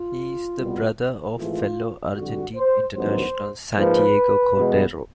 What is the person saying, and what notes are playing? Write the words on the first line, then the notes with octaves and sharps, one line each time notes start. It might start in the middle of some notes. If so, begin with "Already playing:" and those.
He is the brother of fellow Argentine international Santiago Cordero.
Already playing: F4
C2 B2 G3 B3
G#1 G#2 E3 A3 F4
F2 D3 G3 F#4
C5
A1 G2 D#3 F#3 B3 C5
G#2 F3 A#3 B4
E2 B2 G#3 B3